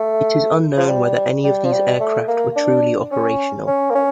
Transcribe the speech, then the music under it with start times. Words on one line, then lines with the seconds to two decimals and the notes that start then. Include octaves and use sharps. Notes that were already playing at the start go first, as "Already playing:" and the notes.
It is unknown whether any of these aircraft were truly operational.
Already playing: A3
0.77 F3
0.89 G3
1.44 G3
1.65 F3
1.72 G3
2.00 A3
2.28 A#3
2.56 D4
3.12 C#4
3.68 C#4
3.91 A#3
3.95 C#4